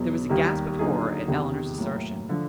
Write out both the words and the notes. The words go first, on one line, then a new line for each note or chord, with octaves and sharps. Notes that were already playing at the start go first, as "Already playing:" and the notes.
There was a gasp of horror at Eleanor's assertion.
Already playing: E2 B2 F#3
D#2 D#3 G3 A#3
D3 F#3 A#3 D#4 G#4
E2 C3 D#3
A2 F#3 A#3
D3 F3